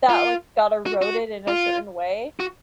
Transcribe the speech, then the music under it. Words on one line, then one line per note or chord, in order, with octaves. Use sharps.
that, like, got eroded in a certain way.
F4
F#4
F#4
F4
F#4